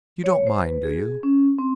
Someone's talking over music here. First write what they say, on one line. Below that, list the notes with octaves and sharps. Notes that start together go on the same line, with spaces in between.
You don't mind, do you?
C#5
C5
B4
G#4
C#4
C4